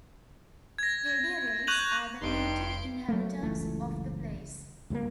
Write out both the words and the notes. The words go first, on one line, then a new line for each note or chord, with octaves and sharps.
Tedurays are the native inhabitants of the place.
G#6 A#6
C#6 F#6 G6 D#7 F7 F#7
F1 G2 D#4 C6 D7
F#3 A3 A#3
F#1 C#2 E3 A3
C#2 G2 G#3 A#3